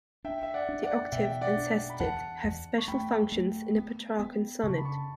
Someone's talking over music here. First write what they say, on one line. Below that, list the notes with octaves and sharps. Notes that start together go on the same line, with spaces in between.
The octave and sestet have special functions in a Petrarchan sonnet.
D4 E5 G5
E5
D5 F#5
D4
D5 F#5
B2 E5 G5
E5
D5 F#5
D4
B5
E2 F#5 A5
E2
C#6
A3 G5 B5
A3
B3
B3
C#3 A5 C#6
B5
A5 C#6